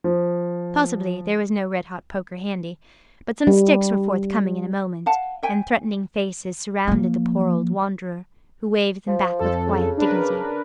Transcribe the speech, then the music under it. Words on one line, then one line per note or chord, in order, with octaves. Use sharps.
Possibly there was no red-hot poker handy: but some sticks were forthcoming in a moment, and threatening faces surrounded the poor old wanderer, who waved them back with quiet dignity.
F3
G3
F5 F#5 A5
E5 G5 G#5
F3 A#3
F3
F2 A4
C#3
D4 A#4 B4